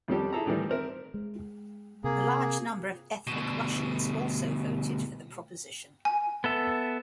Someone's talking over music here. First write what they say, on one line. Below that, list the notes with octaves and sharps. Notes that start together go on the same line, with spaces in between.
A large number of ethnic Russians also voted for the proposition.
F2 D#3 G3 C#4 G4 A4
E4 G#4 A4 A#5
A2 D#3 E3 G3
C4 A#4 E5
G#3
C3 A#3 G#4
D2 B2
G#5
B3 A4 E5